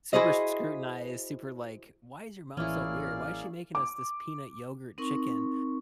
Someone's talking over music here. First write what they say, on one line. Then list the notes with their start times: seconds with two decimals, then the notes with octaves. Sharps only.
Super s scrutinized, super like, "Why is your mom so weird? Why is she making us this peanut yogurt chicken?"
0.13 E4 F#4 G#4 C5 D#5
2.57 A1 E3 A#3 C#4 E4 G#4 D5 F6
3.75 D6
4.98 C4 D#4 A#4 C#6